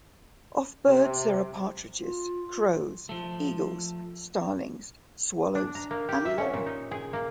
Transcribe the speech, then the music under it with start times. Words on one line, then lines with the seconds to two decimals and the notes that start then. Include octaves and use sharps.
Of birds there are: partridges, crows, eagles, starlings, swallows and more.
0.86 C3
2.00 F4
3.09 F3 A3
5.55 D4
5.75 A#5
5.91 A#3
6.09 G4
6.25 E5
6.38 C#4
6.53 A#2
6.66 D#4
6.91 G#4
7.13 A#3